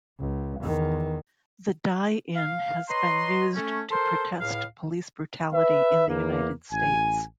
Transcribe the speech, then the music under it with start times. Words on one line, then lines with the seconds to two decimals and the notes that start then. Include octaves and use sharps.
The die-in has been used to protest police brutality in the United States.
0.20 C#2
0.61 E2 D#3
2.36 F5
2.89 B4 C#5 D#5 A#5 C6
3.56 A3 C#4
3.91 A4 A#4 C5 C6
4.40 C#2 A2 F5
5.54 B4 E5
6.08 E2 A#3
6.72 A1 G#5